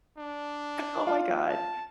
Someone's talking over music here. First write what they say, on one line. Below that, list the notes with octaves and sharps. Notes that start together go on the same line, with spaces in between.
Oh my god.
D4
F4
A5